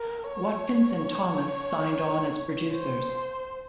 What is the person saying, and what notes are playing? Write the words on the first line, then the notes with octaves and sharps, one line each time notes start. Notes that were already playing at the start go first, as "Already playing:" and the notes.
Watkins and Thomas signed on as producers.
Already playing: A#4
C#5
C5